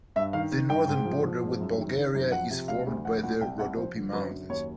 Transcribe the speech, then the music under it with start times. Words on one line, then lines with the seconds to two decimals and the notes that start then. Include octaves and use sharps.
The northern border with Bulgaria is formed by the Rhodope Mountains.
0.16 G2 E5
0.33 D#3 F5
0.51 D#3
0.69 G2 G5
0.88 G#2
1.05 F3
1.24 F3
1.42 G#2
1.60 F#2
1.78 D#3
1.97 D#3
2.15 F#2
2.32 F3 F#5
2.51 C3
2.68 D2 F5
2.87 D2
3.05 F3 F#5
3.23 A#2 F#5
3.41 C2 G5
3.59 C2 F#5
3.77 F3 C5
3.95 D3
4.13 F#2 B4
4.31 F#2
4.49 D#2 C#5